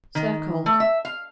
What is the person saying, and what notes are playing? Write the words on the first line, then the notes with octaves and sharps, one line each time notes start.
Serve cold.
D#3
A3
E5
F5